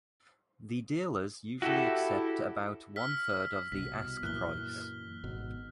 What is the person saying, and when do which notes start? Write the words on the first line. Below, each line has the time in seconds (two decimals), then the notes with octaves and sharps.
The dealers usually accept about one third of the ask price.
1.62 E4 F#4 G4 A4
2.96 E6 F6 B6
3.72 C2 B2 B6
4.23 F#2 A#2 E3 F#6 G7
5.24 G#1 B2